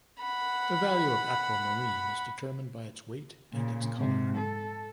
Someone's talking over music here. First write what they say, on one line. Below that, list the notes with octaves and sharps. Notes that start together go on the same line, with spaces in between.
The value of aquamarine is determined by its weight and its color.
F#5 B5
A#2 C#3
G#2 C3
A4